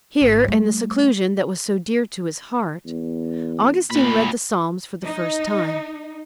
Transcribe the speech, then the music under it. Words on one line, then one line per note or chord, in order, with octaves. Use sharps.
Here, in the seclusion that was so dear to his heart, Augustine read the Psalms for the first time.
G#1
G3 A3
E2
D2 A#2 B5
D#4